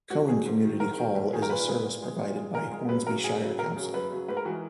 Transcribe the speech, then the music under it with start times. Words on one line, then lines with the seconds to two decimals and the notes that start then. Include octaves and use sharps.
Cowan Community Hall is a service provided by Hornsby Shire Council.
0.10 G#2 F#4
0.28 D#3 F#3 G#4
0.45 G#2
0.63 D#3 F#3
0.80 G#2 A#4
0.97 D#3 F#3
1.15 G#2
1.33 D#3 F#3 G#4
1.42 A#4
1.50 A#2 B4
1.68 G#3
1.85 A#2
2.02 G#3
2.19 A#2
2.36 G#3
2.54 A#2 A#4
2.71 G#3
2.89 F#2 B4
3.07 C#3 F#3 A#4
3.24 F#2 G#4
3.42 C#3 F#3
3.59 F#2 A#4
3.76 C#3 F#3
3.94 F#2 B4
4.11 C#3 F#3
4.28 G#2 B4
4.37 A#4
4.45 E3 G#3 F#4